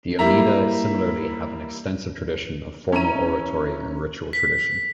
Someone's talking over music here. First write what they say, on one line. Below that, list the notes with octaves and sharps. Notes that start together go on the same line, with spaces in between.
The Oneida similarly have an extensive tradition of formal oratory and ritual tradition.
G3 A#3 E4 E5 A#5
C#4 E4 A#5 D#7
B6